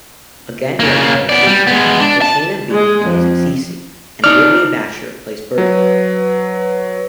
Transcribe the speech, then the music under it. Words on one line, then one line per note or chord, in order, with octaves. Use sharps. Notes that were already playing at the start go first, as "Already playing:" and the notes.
Again directed by Schaeffer, Shoshana Bean plays Cee Cee and Whitney Bashor plays Bertie.
C#3 A#3
B3 D5
G3
G#3 B3
D4
A5
G#3
F2
D#4 D5 F6
F#3 B4